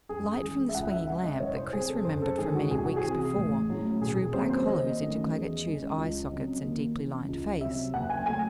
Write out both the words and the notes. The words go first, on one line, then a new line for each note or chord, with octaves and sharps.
Light from the swinging lamp that Chris remembered from many weeks before threw black hollows into Claggett Chew's eye sockets and deeply lined face.
F#2 G#4
C#3 E3 G#3 G#4
E5
C#2 F#5
E5
C#3 G#3 F#5
D#5
C2 C#5
C5
C3 F#3 G#4
A4
F#2 C5
A4
D#3 G#3 C#4 G#4
F#4
C2 G#4
F#4
G#4
C3 E3
A1
A2 F#3 C#4
E1 G#4
G#4
D#2 C#3 F#3 C4 C5
C5
D#2 D#5
D#3 F#3 A3 C#4
E2
C#3 G#3 C#4
C#2
C#3 F#3 C4
D#2
C#3 E3
C#2
C3 F#3 E5
F#1 F#5
G#5
C#3 F#3 A3 G#5